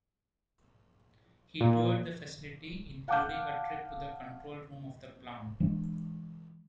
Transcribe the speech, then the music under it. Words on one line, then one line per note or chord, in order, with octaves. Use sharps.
He toured the facility, including a trip to the control room of the plant.
A#2
F5 F#5 A5 D6 F6 G6
E3 G#3 D4